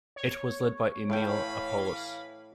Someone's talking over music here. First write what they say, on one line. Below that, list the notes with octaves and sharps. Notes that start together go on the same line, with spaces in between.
It was led by Emil Appolus.
C#5
A2 E3 F5 G5 B5